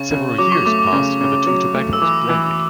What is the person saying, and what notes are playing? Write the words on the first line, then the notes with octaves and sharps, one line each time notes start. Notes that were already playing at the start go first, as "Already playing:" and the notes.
Several years passed and the two tobaccos blended.
Already playing: C#3 C#6
C#3
F#3 D6
C#6
A3 D6
D6
C#3
C#3
F#3
A3
E6
E3 D6
E3 E6